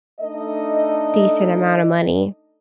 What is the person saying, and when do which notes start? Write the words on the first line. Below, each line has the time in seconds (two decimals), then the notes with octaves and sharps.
decent amount of money
0.21 A3 D4 D#4 A4 D#5